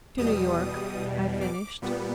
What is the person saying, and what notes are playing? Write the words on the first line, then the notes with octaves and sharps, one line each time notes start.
"To New York," I finished.
E2 B2 G3 D#6
D6
A#2 G3 B3